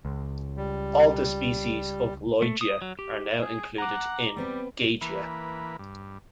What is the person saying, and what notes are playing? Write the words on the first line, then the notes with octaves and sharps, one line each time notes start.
All the species of "Lloydia" are now included in "Gagea".
C#2
G3
A3
D#6
F#3
G4
G#4
F#5 A#5 D6
G3 B3 C4 B4
E3 A#3 B4
G2